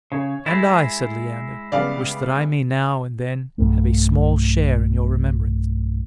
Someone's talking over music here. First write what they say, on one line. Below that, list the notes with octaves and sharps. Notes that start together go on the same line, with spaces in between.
"And I," said Leander, "wish that I may now and then have a small share in your remembrance."
C#3 C#5
G#3 E4 G#6 A6
C#3 G3 B3 D5 F5
B1 G2 A3